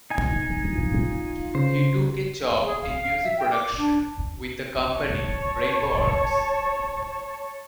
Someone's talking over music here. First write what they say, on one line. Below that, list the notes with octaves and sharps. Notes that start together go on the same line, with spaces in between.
He took a job in music production with the company Rainbow Arts.
D#4 G#5
F4
C#3 C5
G#4
F5
E5
G5
D6
D4
C#5 A5